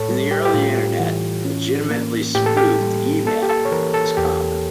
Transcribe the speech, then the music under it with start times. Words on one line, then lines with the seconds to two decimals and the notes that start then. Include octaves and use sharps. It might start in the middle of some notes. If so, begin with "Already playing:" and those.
In the early Internet, "legitimately spoofed" email was common.
Already playing: A2 A4 C#5
0.09 G3
0.31 G4
0.45 G4
0.54 A2 F4
1.00 E3
1.45 C#4
1.90 A#3
2.35 A2 G4
2.46 A4
2.57 G4
2.80 G3
3.26 A#3 A4
3.42 G4
3.49 A4
3.65 C#5
3.71 E3 A#4
3.94 A4
4.17 E2 G4